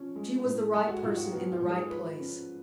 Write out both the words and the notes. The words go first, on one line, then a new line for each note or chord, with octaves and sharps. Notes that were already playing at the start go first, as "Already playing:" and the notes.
She was the right person in the right place.
Already playing: F3 C#4
G#3
A2
G#3 A4
F#4
G#2 F4
F#4
B3 F#4
F4
G#2
G#4
F3 B4
C#4